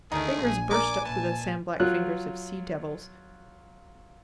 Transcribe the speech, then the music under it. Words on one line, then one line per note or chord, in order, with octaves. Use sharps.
Fingers burst up through the sand-black fingers of sea devils.
D2 D#3 A3 D#4 G#4
A#1 G#5
A3 A#4 D5 D6
A#2 E3 A5
F#3 F4 F#6